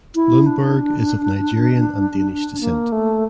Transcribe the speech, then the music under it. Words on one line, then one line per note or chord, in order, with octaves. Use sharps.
Lundberg is of Nigerian and Danish descent.
E4
D4
A#3
A3